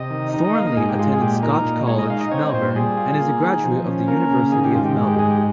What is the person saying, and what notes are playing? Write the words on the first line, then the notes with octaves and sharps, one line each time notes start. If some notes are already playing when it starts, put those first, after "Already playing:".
Thornley attended Scotch College, Melbourne and is a graduate of the University of Melbourne.
Already playing: C3 D#5
D#3
D#4
D#5
A#3 F5
D#5
G#2 G#4
G4
G#3 F4
G#4
A#2 G4
D#4 A#4
A#2
G#3 C#5
D#5
D#4 F5
D#5
C4 C#5
A#2 C5
G3 G#4
F4
A#3
D#3
F3
C#4
A#3 A#4
C#3
D#3 G#4
G4
G#2 F4
G4
G#3
G4
G#2 G#4
G4